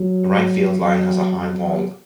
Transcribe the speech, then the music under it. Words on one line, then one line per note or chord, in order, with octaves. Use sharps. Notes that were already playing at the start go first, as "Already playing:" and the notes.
The right field line has a high wall.
Already playing: F#3
F#3
F#3